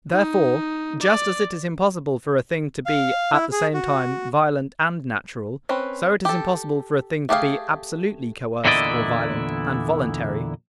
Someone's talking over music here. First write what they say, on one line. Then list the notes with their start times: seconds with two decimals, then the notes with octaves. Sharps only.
Therefore, just as it is impossible for a thing to be at the same time violent and natural, so it is impossible for a thing to be absolutely coerced or violent, and voluntary.
0.11 D#4
1.02 D5
2.86 F5
3.32 E4
3.52 G#4
3.74 F#4
5.69 C4 C#4 B4
6.25 G4 A4
7.29 A3 G4 G#4 F5
8.65 E2 A#2 D3 E4 D5 D#5